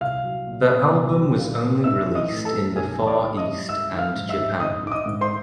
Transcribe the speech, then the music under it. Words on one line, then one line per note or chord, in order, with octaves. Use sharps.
The album was only released in the Far East and Japan.
C2 F5 F6
F#3
A#2
B3
C2
F#3
A#2
B3
B1 E5 E6
E3
D#5 D#6
A2
A4 A5
G3
B1 G#4 G#5
E3
D5 D6
A2
D#5 D#6
G3
G#1 E5 E6
D#3
F5 F6
G#2
E5 E6
G#1
G#1 D#5 D#6
D#3 D6
D#5 D#6
G#2
C5 C6